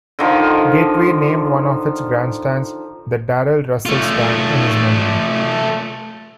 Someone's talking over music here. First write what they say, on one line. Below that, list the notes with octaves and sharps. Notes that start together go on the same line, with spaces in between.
Gateway named one of its grandstands "The Darrell Russell Stand" in his memory.
D3 D#3 F3
A3 F4